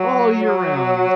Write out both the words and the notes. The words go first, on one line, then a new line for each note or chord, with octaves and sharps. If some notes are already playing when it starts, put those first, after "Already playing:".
All year round.
Already playing: F#3
F#3